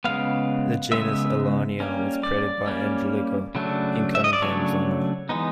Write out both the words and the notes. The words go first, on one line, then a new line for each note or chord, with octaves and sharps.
The genus "Alania" was created by Endlicher in Cunningham's honour.
C#3 F3 G#3 B3 F5
C#3 F3 G#3 B3 E5
G3 A#3 C#4
D5
G3 A#3 C#4
C#3 F#3 A3 D4
E5
D#5
D5
C#3 F#3 A3 D4 C#5
E3 G#3 B3 D#4